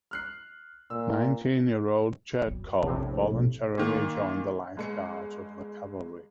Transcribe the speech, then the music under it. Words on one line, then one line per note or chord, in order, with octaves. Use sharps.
Nineteen-year-old Chertkov voluntarily joined the Life Guards of the Cavalry.
F6 F#6 C7
A#2 E6
F#2 G3
A#1 F2 A2 C3 B3
B2
A#2 D#3
G1 G#3 C#7